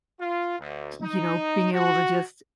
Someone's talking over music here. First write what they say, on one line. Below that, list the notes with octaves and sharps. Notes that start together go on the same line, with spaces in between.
y you know, being able to just
F4
D2
D#4
F#4